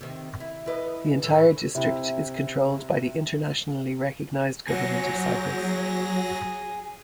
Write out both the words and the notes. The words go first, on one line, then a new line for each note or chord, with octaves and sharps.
The entire district is controlled by the internationally recognized government of Cyprus.
C3 D#3
E4
E3 B4 D#5
A2 E3
C3 E4
F#3 G#4 F#5 A#6